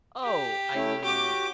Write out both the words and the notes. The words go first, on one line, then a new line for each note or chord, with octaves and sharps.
Oh, I mean, w
G4
A3 C#4 E4
F#4 G4 D6 G6